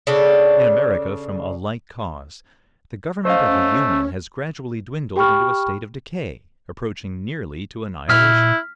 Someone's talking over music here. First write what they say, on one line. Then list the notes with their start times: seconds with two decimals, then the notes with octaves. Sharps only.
In America, from a like cause, the government of the Union has gradually dwindled into a state of decay, approaching nearly to annihilation.
0.07 C#3 D4 A4
3.25 A3 C#4 C5 D#5 F5
5.16 G4 G5 B5 C#6 F6
8.09 A#2 E4 F6 B6